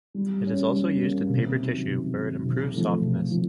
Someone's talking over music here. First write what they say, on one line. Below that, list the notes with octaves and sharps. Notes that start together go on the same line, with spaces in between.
It is also used in paper tissue where it improves softness.
G3
A#3 C#4
G3
A#3 C#4
C3
D#3 F#3
C3
D#3 F#3
C3
F3 A3
C3
F3